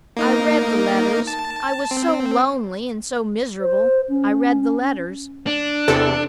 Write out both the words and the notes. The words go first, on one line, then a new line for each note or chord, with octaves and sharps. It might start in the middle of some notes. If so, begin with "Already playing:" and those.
I read the letters--I was so lonely and so miserable, I read the letters.
A#3 D#4 A#4
A5
C4
C5
C#4
D4
E2 C3 A4